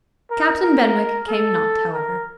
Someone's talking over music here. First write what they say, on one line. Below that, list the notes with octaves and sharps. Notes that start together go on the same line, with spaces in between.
Captain Benwick came not, however.
A#4
A#4
A4
A#4